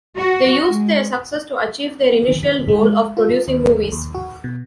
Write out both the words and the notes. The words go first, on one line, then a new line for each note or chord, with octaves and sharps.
They used their success to achieve their initial goal of producing movies.
F#4
G#3
B3
D#3
B6
G#3
F4
D#2
D#2
F#4
B2